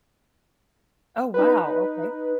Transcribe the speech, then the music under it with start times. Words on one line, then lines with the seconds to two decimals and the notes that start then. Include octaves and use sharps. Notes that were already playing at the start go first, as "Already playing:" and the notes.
Oh, wow, okay.
1.34 D#4 B4